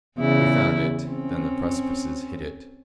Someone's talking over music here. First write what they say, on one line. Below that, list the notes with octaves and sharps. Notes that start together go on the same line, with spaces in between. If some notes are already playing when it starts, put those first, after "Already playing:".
We found it; then the precipices hid it.
E2 C#3 E4
C4 C#4